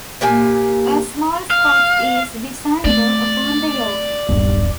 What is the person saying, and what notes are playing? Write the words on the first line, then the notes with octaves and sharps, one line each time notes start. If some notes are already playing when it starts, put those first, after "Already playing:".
A small spot is discernible upon the yolk.
A#2 A#3 G4 G#5
F5
A3 C4 D5
D#1 B1 G2